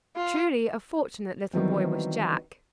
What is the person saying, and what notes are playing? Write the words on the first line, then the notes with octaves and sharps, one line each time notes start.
Truly a fortunate little boy was Jack!
F4
D#3 E3 F#3 G3 B3 C4